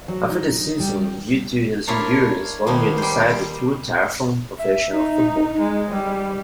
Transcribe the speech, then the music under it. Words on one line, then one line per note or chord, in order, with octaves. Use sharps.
After the season, due to his injuries Bollinger decided to retire from professional football.
F#3
D#4
G3
D4 E4 F4 A#4 C#5
D#3 F3 A#3 B3
G3 C5
E5
D#4
G#3
G3